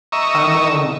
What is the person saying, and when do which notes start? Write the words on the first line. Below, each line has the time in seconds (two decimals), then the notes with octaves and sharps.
I'm, um
0.12 D#5 E5 A#5 C#6